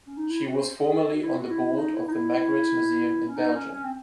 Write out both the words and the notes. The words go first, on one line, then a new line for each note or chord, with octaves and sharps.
She was formerly on the board of the Magritte Museum in Belgium.
C#4
D#4
E4
F#4
C5
G#4
A4
F#4
E4
F#4
E4
D#4
E4
D#4
E4
C#4
D#4
C#4
C#4
C4